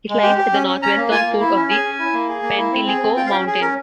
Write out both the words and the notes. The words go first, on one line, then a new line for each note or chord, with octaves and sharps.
It lies at the northwestern foot of the Penteliko Mountain.
G#3
G4
G4
C#4
C#4
C#4 A#5
A#3
F4 G#5
A#3
E4
C#4
G#4 G#5
C#4
E4
A#3
G#4
A#3
E4
C4
G#4
C4
F4 G5
F5
C#4 G5
G#4
C#4 A#4